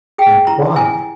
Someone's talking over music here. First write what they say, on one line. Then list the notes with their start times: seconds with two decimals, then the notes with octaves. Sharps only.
Yet why?
0.18 G#4 G5
0.47 E4 A#5
0.76 E4 G#5